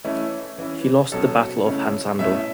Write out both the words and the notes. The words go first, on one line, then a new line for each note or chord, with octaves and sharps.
He lost the battle of Hansando.
E3 A3 C#4 E4
E3 C#4 E4
B2 F#3 C#4 A4
C#3 A3 C#4 E4
B2 A3 C#4 E4 E5